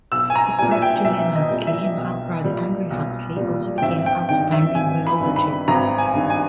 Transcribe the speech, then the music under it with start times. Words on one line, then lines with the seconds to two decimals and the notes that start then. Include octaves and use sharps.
His brother Julian Huxley and half-brother Andrew Huxley also became outstanding biologists.
0.12 B1 E6
0.30 G#5
0.36 A#5
0.59 A#2 G3 G#5
0.71 E5
0.82 G5
1.05 B1 E5
1.35 D#5
1.50 A#2 G3
1.67 E5
1.97 B1
2.44 A#2 G3
2.90 B1
3.37 A#2 G3
3.78 G5
3.82 G#1 E5
4.06 G5
4.28 G2 D#3 G5
4.52 E5
4.75 G#1 G#5
5.07 B5
5.21 G2 D#3
5.36 B5
5.68 G#1 A#5
5.98 G#5
6.13 G2 D#3
6.30 G#5